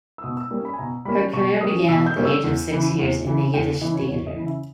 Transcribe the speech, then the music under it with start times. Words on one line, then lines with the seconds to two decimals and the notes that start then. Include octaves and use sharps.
Her career began at the age of six years in the Yiddish Theatre.
0.18 E6
0.23 B2 D#6
0.37 E6
0.51 G3 A#3 C#4
0.65 B5
0.73 G#5
0.79 B2 A#5
1.05 G3 A#3 C#4 B5
1.33 B2 C#6
1.61 G3 A#3 C#4 D#6
1.88 B2 E6
2.07 G6
2.17 G3 A#3 C#4
2.25 E6
2.44 E2
2.71 C#3 E3
2.99 E2
3.26 C#3 E3
3.54 E2 G5
3.81 E3 D#5
3.85 C#3
3.95 C#5
4.08 E2 C#5
4.27 D#5
4.36 C#3 E3
4.46 E5